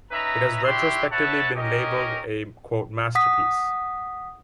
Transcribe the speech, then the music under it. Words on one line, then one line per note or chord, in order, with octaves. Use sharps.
It has retrospectively been labelled a "masterpiece".
C#4 D#4 B4 E5 A#5
D4 E4 F#4 G4 E5 C6
B4 C#5 E5 F#5 A5
C#4 D#4 G4 A#4 C#5 D#5
F#5 D#6 B6